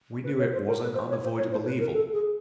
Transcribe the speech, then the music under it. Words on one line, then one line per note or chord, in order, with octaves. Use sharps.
We knew it was an unavoidable evil.
B4
C#5
C5
A#4
B4
C5
C#5
C5
C#5
C5
B4
A#4
A4
G#4